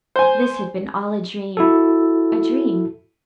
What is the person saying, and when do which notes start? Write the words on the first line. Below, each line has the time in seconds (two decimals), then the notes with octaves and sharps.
This had been all a dream--a dream.
0.16 C5 G#5
1.57 E4 F#4 A4